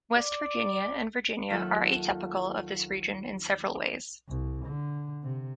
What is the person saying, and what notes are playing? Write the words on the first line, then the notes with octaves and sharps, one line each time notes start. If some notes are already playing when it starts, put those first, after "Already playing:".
West Virginia and Virginia are atypical of this region in several ways.
D5
D#2 F#3 F4 A4 E5 F#5
C2
D3
C3